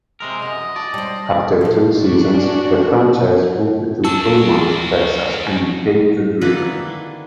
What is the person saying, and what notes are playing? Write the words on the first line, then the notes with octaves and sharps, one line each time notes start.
After two seasons, the franchise moved to Beaumont, Texas, and became the Drillers.
C3 G#3 A#4
F#2 D#5
D5 F#5 A5
G3 C5
A#2 F3 A4 G5 A5
C#4 D4 F#4
D4 F#4 A5 E6
D3 D#3 A#3 D4 E4 B4